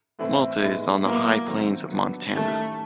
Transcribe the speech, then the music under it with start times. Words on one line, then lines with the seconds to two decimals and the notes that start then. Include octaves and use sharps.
Malta is on the High Plains of Montana.
0.19 A2 E3 A3 C4 E4
0.61 A2 E3 G#3 B3 D#4
1.05 B2 F#3 A#3 B3 E4
1.48 D#3 F#3 A3 C4
1.91 F#3 B3 D4
2.34 D#3 G3 A3 A#3 C#4 E4